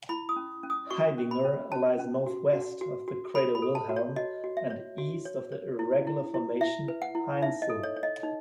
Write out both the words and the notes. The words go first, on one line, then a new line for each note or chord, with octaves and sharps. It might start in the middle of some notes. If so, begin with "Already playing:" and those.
Haidinger lies northwest of the crater Wilhelm and east of the irregular formation Hainzel.
E4 B5
D#6
C#4
C#4
D#6
F#4 C#6
C#4
B5
C#4
C#4 A5
C#4
F#4
F#4
F#4
F#4
A4 B5
B5
A4
A5
F#4
C#5
F#4 D#5
F#4
E5
C#5
F#4
C#5
C#5
E4
E4
E4
E4 E5
B4
F#5
E4
D#4 E5
D#5
A4
C#5
C#5
D#5
D#4